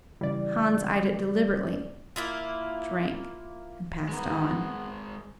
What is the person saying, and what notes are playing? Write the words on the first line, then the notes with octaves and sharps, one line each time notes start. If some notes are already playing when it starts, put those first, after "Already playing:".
Hans eyed it deliberately, drank, and passed on.
C#3 E3 G3 D5
A#3 E4 F4
G#3 B3 A#4